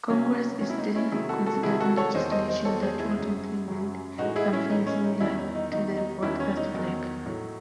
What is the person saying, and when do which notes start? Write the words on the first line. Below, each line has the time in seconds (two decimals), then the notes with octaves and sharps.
Congress is still considering legislation that would implement something similar to the Broadcast Flag.
0.10 C3 F#3 C#4
0.61 C3 F#3 C#4
0.70 E4
0.78 D#4
0.95 C#4 E4
1.12 C3 D#3 F#3 E4 G#4
1.29 F#4 A4
1.46 F#4 A4
1.63 C3 D#3 F#3 E4 G#4
1.80 F#4 A4
1.97 A4 C#5
2.14 E2 D#3 G#3 C5 D#5
2.32 C5 D#5
2.48 C5 D#5
2.65 E2 D#3 G#3 A4 C#5
2.82 G#4 C5
2.99 E4 G#4
3.17 F#2 C#3 F#3
3.68 F#2 C#3 F#3
4.18 A2 E3 G#3 D#4 F#4
4.36 E4 G#4
4.53 C#4 E4
4.70 A2 E3 G#3 D#4
4.87 C#4
5.04 D#4
5.20 E2 D#3 F#3 C#4 E4
5.38 D#4
5.55 D#4
5.72 E2 D#3 F#3 D#4
5.97 D#4
6.23 E2 D#3 F#3 C#4 E4
6.40 C#4
6.57 D#4
6.74 E2 D#3 F#3
7.26 A2 F#3